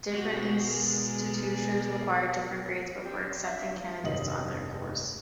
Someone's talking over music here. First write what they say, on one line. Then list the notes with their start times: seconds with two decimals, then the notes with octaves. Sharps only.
Different institutions require different grades before accepting candidates onto their course.
0.13 B2 G#3 F#4 G4
0.70 G#4 A#4 D5
3.03 C4 D4 G4
3.46 E5 F5
4.03 F1 G2 D#3 D#5 F#7